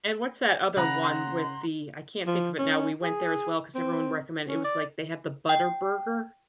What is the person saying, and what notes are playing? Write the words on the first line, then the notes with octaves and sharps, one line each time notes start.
And what's that other one with the I can't think of it now, we went there as well ‘cause everyone recommend it was like they have the Butter Burger.
C#3 F#5 A#5 B5
C6
F3
C#4
G#4
C4
C#4
D5
G5